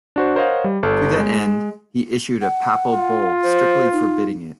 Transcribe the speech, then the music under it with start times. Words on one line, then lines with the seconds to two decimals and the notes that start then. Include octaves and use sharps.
To that end, he issued a papal bull strictly forbidding it.
0.16 D4 F#4 C5
0.36 A#4 C5 C#5 D#5 F5 F#5
0.64 G3
0.83 G1 A4 A5 F6
1.19 G#3
2.42 F#5
2.93 F4
3.43 C5
3.93 D#4